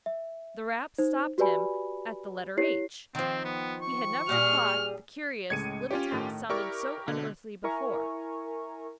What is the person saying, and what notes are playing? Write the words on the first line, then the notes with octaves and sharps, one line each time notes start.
The rap stopped him at the letter H. He had never thought the curious little taps sounded so unearthly before.
E5
D#4 C5
F#4 G4 B4 D5 G#5 B5
E4 G4 C#5 C7
D#3 F3 C4
B3
C#6
A#2 G3 G#4 F6
C#2 A2 G#3 G#6 C#7 D#7
C#4 F4 G4 C#5
A2 D#3
E4 G4 A#4 D5 C#6
B2 D3
E4 A#4 E5 G#5 A#5 C#6